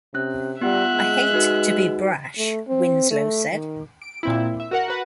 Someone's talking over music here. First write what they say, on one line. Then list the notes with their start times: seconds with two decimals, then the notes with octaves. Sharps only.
"I hate to be brash", Winslow said.
0.14 C3 C#4 F#6
0.61 G3 B3 F4 E5 F#5 F#6
0.94 G#3
1.33 D#4 F#4 B4
2.38 A3
2.68 C4
3.11 A3
3.52 D#3
4.02 D7
4.23 A#2 C4 E4
4.60 E5
4.71 F#4 A#4 F#5
4.88 F#4 B4 F#5